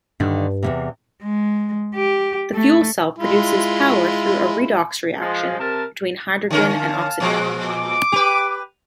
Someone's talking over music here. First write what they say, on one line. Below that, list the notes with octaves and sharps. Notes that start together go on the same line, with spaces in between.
The fuel cell produces power through a redox reaction between hydrogen and oxygen.
G2 D3 D#3
E2 A2 C3
G#3
G4
A3
G#3 E4 F4
F3 G#3
C3 A#4 A5
D3 C#4 A#4 F5 A5
A#2 F3 G#3
D6
G4 B4